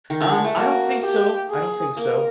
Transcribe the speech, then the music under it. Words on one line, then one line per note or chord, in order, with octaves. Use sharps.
um I don't think so, I don't think so.
D#3
D3
G#3
A3
A#3 F#4
G4
G#4
A#3 A#4